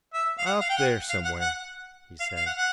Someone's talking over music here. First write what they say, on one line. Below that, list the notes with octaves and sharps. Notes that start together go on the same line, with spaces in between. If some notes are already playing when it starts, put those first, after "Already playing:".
"Up there somewhere," he said.
E5
F5
F#5
F5
G5
F#5
F5
F#5
F#5
F5
F5
F#5
F#5